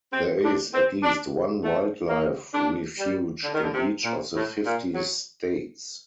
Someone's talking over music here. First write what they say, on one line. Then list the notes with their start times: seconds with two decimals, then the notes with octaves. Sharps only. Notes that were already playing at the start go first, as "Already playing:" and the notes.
There is at least one wildlife refuge in each of the fifty states.
0.13 C4
0.43 D4
0.73 C4
1.03 D4
1.63 A3
2.08 A#3
2.54 D4
2.99 G3
3.43 D3
3.54 D#3
3.64 D3
3.74 C3
4.04 A#2
4.35 A2
4.65 A#2
4.95 F#3